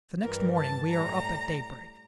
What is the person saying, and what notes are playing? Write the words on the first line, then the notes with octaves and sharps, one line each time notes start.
The next morning we are up at daybreak.
G2 E3 G3 A#4
A5
A2 G3 A#5